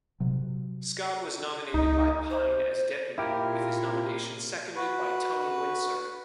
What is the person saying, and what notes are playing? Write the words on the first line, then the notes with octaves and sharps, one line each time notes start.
Scott was nominated by Pyne as Deputy; with his nomination seconded by Tony Windsor.
C3 F#3
C#2 D#4
C5
A#2 E4 F4 G4 A#4
F#4 B4